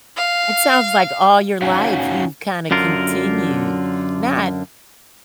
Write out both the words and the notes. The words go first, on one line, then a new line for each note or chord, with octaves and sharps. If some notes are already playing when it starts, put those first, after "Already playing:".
It sounds like all your life, you've kinda continued not,
F5
C#4 D#4 F#4 C#5 F5
F#2 D3 F4 A#4